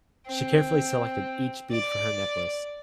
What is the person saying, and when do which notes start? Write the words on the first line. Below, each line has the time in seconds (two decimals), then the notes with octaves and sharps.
She carefully selected each bead for her necklace.
0.27 C4
1.71 D5